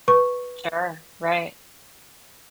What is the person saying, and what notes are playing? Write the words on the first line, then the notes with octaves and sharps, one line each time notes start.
Sure, right.
B4 C#6